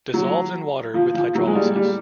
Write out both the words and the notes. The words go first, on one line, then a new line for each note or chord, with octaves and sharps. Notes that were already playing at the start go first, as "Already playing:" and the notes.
Dissolves in water with hydrolysis.
F#3
F3
F3
F#3
G#3
G3
G3